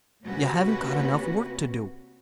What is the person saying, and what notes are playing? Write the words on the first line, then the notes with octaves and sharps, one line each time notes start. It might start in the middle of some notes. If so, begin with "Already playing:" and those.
You haven't got enough work to do.
C3 A#3 C#4 F#4 B4